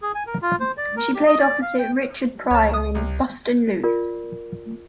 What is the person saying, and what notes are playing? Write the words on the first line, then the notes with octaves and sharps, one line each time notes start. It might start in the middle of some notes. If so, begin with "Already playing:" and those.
She played opposite Richard Pryor in "Bustin' Loose".
G#4
G#5
A#4
F4
C5
D5
A#4
G4
D#5
D5
F5
G5
C#2 C#5 A5
D#6
C2
F4 A#4 D5